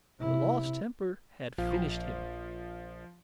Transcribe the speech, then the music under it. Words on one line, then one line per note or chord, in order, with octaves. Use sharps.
The lost temper had finished him.
C3 E4
A#1 F3 F4 F5